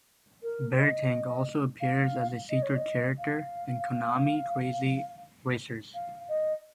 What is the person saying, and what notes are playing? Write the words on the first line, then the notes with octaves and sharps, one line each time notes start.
Beartank also appears as a secret character in Konami Krazy Racers.
A#4
D#5
F5
D#5
C#5
D#5
F5
F5
D#5